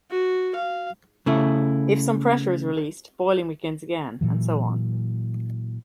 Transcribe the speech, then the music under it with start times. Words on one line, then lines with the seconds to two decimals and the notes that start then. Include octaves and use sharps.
If some pressure is released, boiling begins again, and so on.
0.10 F#4
0.56 F5
1.26 C#3 A3 E4
4.21 A#2 E3 F#3